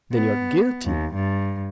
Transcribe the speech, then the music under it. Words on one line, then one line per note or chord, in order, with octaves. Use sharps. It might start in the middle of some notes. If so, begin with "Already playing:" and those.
"Then you are guilty."
B3
D#2
G2